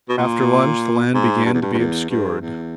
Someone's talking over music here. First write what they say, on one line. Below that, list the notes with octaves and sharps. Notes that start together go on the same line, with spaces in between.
After lunch the land began to be obscured.
B2
A#2
G#2
G2
E2
G2
G2
E2
G2
E2